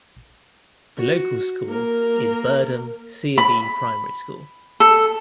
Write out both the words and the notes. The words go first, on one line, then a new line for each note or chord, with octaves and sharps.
The local school is Birdham C of E Primary School.
F#4
A#3 A#4
B5
A4